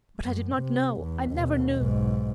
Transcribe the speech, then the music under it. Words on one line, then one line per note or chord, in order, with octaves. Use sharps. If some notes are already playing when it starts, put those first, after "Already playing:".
But I did not know; I never knew!
F#2
C3
E2
D#2 B2
B1 G#2